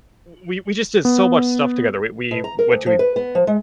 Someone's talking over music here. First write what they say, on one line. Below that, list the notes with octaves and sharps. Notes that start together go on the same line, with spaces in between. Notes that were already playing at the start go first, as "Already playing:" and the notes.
w we we just did so much stuff together. We we went to, eh,
B3
B2
A#5
A#4
D2
F3
B4
B3
F3
G#3